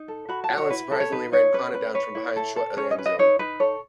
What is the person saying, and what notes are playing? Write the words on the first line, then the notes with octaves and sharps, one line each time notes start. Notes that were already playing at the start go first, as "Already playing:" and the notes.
Allen surprisingly ran Conner down from behind short of the end zone.
Already playing: D#4
A4
F#4 B5
A5
F#4
C#5
E4 B4
A4
C#5
D#4 B4
D#4 C#5
C#4 B4
B4
B4 C#5
E4
A4
A4
C#4 C#5
D#5
B4
D#5
D#4 C#5
D#4 B4
A4 C#5